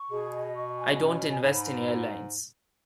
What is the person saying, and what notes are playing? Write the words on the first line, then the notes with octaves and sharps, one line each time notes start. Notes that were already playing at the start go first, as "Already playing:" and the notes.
I don't invest in airlines.
Already playing: C#6
B2 G#4
D#5
C#6
G#5
C#4
G#5
G#2 B5
B5
F#4